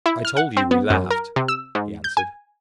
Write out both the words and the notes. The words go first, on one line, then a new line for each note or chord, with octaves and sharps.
'I told you we laughed,' he answered.
E4
F6
F#5
C4
B3
F#2
A#4
C3
E6
G#2
G6
G#5